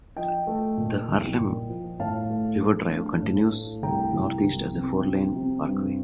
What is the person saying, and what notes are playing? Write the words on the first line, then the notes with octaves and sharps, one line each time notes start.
The Harlem River Drive continues northeast as a four-lane parkway.
F3 D#5 G5
A3
A#2
C2
A#2
F3
A2 F5 A5
A3
A3
D4
A2
A3
C2 G5 A#5
C2
C2
C3
F3
C3
G2